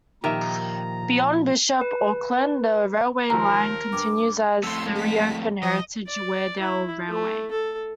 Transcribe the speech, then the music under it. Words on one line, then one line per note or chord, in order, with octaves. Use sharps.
Beyond Bishop Auckland, the railway line continues as the re-opened heritage Weardale Railway.
A#2 D#3 F3 G4 A#4 E5 A#5
B4
D#2 F3 A#4 A#5
G2 D6
F2 A2 C6 E6
G#3 B6
F3 D#5
D5
E4
A3
A4